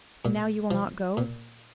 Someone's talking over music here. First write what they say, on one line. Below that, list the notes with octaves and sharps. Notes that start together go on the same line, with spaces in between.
"And now you will not go?"
A#2
F3
A#2